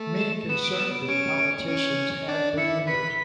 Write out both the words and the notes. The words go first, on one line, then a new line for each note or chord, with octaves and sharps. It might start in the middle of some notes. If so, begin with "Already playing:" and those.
Many Conservative politicians have been members.
Already playing: A3
E7
B3 E7
D7
E7
D7
C#4 D7
C#4
D4
E4 C#7
B4 B6